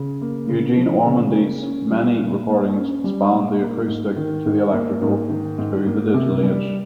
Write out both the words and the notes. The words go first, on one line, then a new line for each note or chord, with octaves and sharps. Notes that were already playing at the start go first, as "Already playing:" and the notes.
Eugene Ormandy's many recordings spanned the acoustic to the electrical to the digital age.
Already playing: C#3
A#3
C#3
F3
C#3
A#3
C#4
G3
A#2
A#3
C#4
G3
A#2
A#3
G#2
D#3
G#2
A#3
G#2
D#3
G#2
A#3
C3
G3